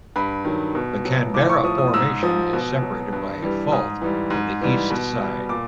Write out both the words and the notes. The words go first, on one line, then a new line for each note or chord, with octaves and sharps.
The Canberra Formation is separated by a fault in the east side.
G2 B5
D#3 F#3
B2
F#3
A2 D6
C#6
F3 D#6
D#6
G#2 E6
F3 D#6
B2
F#3
G2
E3 G3
G#2 D#6
E3 G3
G#2
E3 G3
B2
G3
A#2 D6